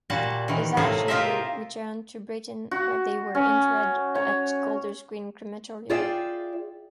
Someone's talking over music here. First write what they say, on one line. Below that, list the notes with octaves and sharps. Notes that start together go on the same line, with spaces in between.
His ashes were returned to Britain where they were interred at Golders Green Crematorium.
A#2 G3 F#4 A5
D#3 E3
A2 C3 A#3 G#4 A4
F4 G4 A#4 C5 D#5 E5
F#4
C#4
C#5
F4 G#4 D5 E5 F5 G5